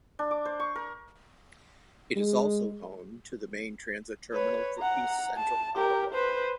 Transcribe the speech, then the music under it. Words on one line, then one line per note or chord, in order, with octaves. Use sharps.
It is also home to the main transit terminal for east-central Ottawa.
D4
D6
C5
C#6
A#4
G#3
B4 C#5
F#5 A#5
A5
G4 A#4
B4 C5